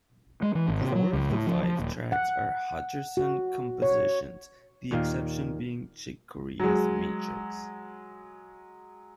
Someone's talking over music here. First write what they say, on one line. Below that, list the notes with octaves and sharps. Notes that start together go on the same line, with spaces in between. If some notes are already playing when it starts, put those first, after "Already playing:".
Four of the five tracks are Hutcherson compositions, the exception being Chick Corea's "Matrix".
G#3
E3
G#1
C3
F#3
C#2
A2
F3
F3
D#1
F#5
F#4
C#5
D#2 A#2 D#3 A#4 F5
F#3 G#3